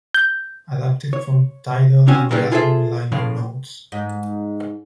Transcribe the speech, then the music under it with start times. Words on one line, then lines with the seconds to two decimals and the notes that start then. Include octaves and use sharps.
Adapted from Tidal and the album liner notes.
0.14 G6
1.13 C#5
2.07 C3 C4 C#4 F#4 G#5
2.31 A#2 C#3 E3 G3
2.52 F4 G#4 A4 C5 D5 E5
3.12 A2 C#3 F3 F5
3.92 G#2